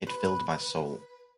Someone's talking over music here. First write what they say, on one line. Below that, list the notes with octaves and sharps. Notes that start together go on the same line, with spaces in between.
It filled my soul.
B4